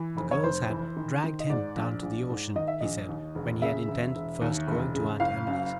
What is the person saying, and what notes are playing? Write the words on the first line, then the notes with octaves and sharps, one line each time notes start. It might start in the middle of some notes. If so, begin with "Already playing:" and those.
The girls had "dragged him" down to the ocean, he said, when he had intended first going to Aunt Emily's.
Already playing: E3
F1
C#5
F1 C5
E3
D#3
D#3
D#5
G#2 D5
A#1
A#1
G#2
D#3 D#5
E5
A#1 D#5
D#2
E1
C#3 E5
E1
E1
D#2
E1
C#3
F#1 F5
F#2